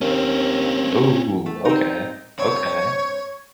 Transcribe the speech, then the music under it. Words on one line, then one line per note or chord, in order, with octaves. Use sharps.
Ooh, okay, okay.
D#2 C4 C#4
A3
C4 D#4
G2 C4 C#5